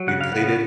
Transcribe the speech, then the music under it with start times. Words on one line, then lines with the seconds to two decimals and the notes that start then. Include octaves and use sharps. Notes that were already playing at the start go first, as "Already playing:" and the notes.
We played it
Already playing: F#3
0.08 C#3 F#5
0.21 F5
0.33 B3 F#5